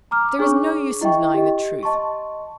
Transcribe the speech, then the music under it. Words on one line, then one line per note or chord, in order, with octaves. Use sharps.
'There is no use in denying the truth.
A#5 D6 F6
D4 G#4 C#5 C#6 D6
E4 D#5 E5 G5 C#6
G4 D#5
D#5 A5 C6 C#6